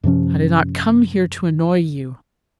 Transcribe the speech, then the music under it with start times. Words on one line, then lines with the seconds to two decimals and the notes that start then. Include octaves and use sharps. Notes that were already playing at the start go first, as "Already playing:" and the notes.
I did not come here to annoy you.
0.04 F#2 C3 F3 C#4